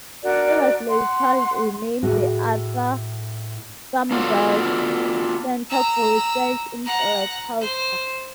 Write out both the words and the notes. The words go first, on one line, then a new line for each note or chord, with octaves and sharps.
It was later renamed the Arthur Schomburg Center for Research in Black Culture.
D4 F#4 A#4 D5
F#5 C6
A2 F#4 G#4 E5
B3 D4 F4 F#4 A4
A#5 E6
F#5 A#5
C5